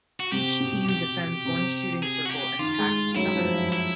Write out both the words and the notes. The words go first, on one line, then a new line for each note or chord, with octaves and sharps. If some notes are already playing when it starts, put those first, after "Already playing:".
Each team defends one shooting circle and attacks the other.
F#4
C3 G4
B2
G4
C3
G#4
F#4
G4
D#3 F4
G#3
F#3 E4
F3
F3
E4